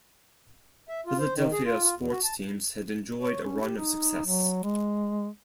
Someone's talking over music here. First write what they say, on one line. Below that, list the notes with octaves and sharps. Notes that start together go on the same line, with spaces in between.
Philadelphia sports teams had enjoyed a run of success.
E5
F4
C5
D#3
G#4
F4
F4
E2
F#4
A5
C#5
C#4
G4
D#4
F#3
G#3